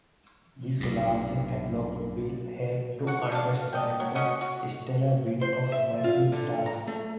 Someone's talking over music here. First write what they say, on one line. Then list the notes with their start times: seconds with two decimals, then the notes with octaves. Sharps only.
This larger catalog will help to understand the stellar wind of massive stars.
0.80 B1 G2
3.07 F#4 F#5
3.32 D4 F5
3.73 D4 D#5 G5
4.00 F#3
4.15 C#4 F#4 D#5 F#5
4.41 F#4
5.41 C5
5.72 E5
6.04 F4
6.32 D3
6.66 A#5
6.87 A3